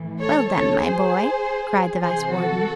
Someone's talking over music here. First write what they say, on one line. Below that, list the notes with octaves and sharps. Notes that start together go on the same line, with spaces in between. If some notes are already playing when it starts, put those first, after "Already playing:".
"Well done, my boy!" cried the Vice-Warden.
Already playing: A2 E3
A4 C#5
A4 C#5
G#4 C5
C3 E3 G#4 C5
F#4 A4